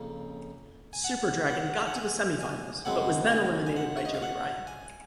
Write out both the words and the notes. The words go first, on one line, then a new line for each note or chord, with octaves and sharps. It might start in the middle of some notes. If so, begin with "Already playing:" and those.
Super Dragon got to the semifinals, but was then eliminated by Joey Ryan.
Already playing: F2 C#3 A#3 C#4
G#5
F#5
F#5
F#5
G#5
G#5
F#2 C#3 G#3 C4 F#5
G#5
G#5
F#5
C#5
D#5
F5
F#5
G#5